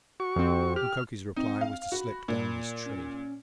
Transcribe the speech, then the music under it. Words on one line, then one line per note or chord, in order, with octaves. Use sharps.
Mukoki's reply was to slip down his tree.
F#4 C#6
F2 C4
G4 F6
C4 D#4
F5
F#4 B5
A#2
C#4